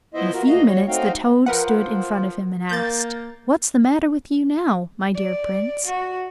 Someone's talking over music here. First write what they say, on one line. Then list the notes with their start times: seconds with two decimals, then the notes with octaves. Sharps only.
In a few minutes the toad stood in front of him and asked, 'What's the matter with you now, my dear Prince?'
0.14 F3 B3 E4 C5 D#5 E5
0.33 F4 F#4 A#4
0.47 D2 A3 A#3 F#4 D#5 F5
0.68 F#4 C#5
0.88 A3 C4 D#4 F#4 F5 G5
1.46 F3 A#4 B4 F#5
2.69 A#3 G6 A6
5.14 D5
5.85 F#4